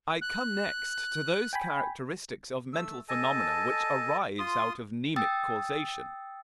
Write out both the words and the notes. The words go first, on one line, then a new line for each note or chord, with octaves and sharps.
I come next to those characteristics of mental phenomena which arise out of mnemic causation.
F#6
G5 G#5 B5
A3 E6
A4 D#5 G#5 A5
F4 C6 D#6
G5 D#6 E6 A6